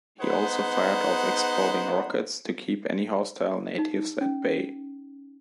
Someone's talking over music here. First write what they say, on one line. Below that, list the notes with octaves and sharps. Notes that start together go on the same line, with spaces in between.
He also fired off exploding rockets to keep any hostile natives at bay.
B3 D#4 G#4 B4 C5 F#5
D#4
C#4